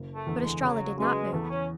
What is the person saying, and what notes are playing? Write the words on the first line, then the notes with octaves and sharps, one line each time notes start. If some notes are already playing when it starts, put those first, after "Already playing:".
But Estralla did not move.
Already playing: F#1
A3
E2 D3
G#3
C#3 F#3
F#3 G#3 C#4 G#4 B4
E2 A3
B3
C#4